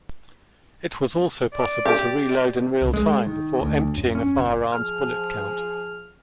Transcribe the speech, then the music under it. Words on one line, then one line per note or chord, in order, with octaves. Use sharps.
It was also possible to reload in real-time before emptying a firearm's bullet count.
D5
G4
C#2
G#3
D#3
D2
F#2
C#4
F#1
F3 G#4 F6